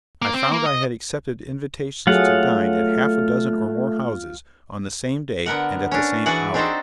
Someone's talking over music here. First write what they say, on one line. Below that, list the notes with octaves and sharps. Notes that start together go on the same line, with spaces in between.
I found I had accepted invitations to dine at half a dozen or more houses on the same day and at the same hour.
A#3
C4
A#3
D#5
F#3 A3 F4 G#4 F#5
D3 B3 A#4 F#5
C#4 D4
E3 F#4 G#4 B4 D5 F#5
C4 D4 D#4 A4 C5 A#5